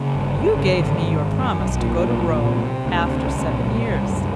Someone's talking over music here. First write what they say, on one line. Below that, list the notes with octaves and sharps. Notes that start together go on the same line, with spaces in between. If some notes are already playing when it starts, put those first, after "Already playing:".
"You gave me your promise to go to Rome after seven years."
Already playing: C#3 A#3
G1
G1
C#3
G#1
G#1
G#1
F#2
B1
A#2
B1
A#2
C3
C3
D2
C3
C2 C#4
A#2
C2
C2
F#2